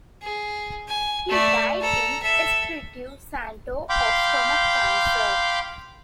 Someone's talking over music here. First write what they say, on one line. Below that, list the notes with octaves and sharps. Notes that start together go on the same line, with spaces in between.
He died in Espiritu Santo of stomach cancer.
G#4
G#5
A3 D5
A4 A#5
A4 E5
F5 G5 B5 C6 D6 G6